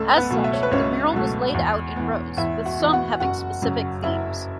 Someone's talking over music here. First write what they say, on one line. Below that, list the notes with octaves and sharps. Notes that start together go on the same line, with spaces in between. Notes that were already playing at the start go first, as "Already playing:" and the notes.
As such, the mural was laid out in rows, with some having specific themes.
Already playing: C#2 A3 A4
B3 B4
B2 F#3 A3
E5
C#5
B4
C#2 C#4 C#5
B2 F#3 A3
E2
E3 B3
E2 E4 E5
F#4 F#5
E3 B3
F#4 F#5
F#1 F#4 F#5
F#2 C#3 F#3
F#1 E4 E5